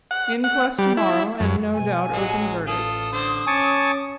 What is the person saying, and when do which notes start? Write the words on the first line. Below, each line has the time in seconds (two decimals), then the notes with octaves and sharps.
Inquest to-morrow, and no doubt open verdict.
0.11 F#5
0.44 F#5
0.79 G3
0.97 E4
1.40 F#2
1.73 B2 G#5
2.13 A1 F#3 G#3 F#5
2.67 F4 A4 D#6
3.13 D3 C5
3.47 C#4 G#5 A5 C#6 D6